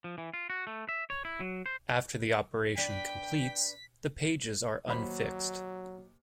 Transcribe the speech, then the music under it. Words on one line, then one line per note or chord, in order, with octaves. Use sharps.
After the operation completes, the pages are unfixed.
F3
E3
F4
F#4
A3
E5
C#5
E4
F#3
C5
D4 B4 G5 B6
D#2 F#3 C5 B5